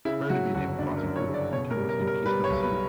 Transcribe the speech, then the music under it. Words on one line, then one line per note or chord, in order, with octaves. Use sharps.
Prior to being named Frostproof, the town was named Keystone City.
C#3 E4
F#3 F#4
G1 F#4
F#2 D4
A#4
F#2
C#5
C#3
D5
B2 C#5
A#4
G3
A#4
G3
A#4
G3 B4
C#5
B1
B4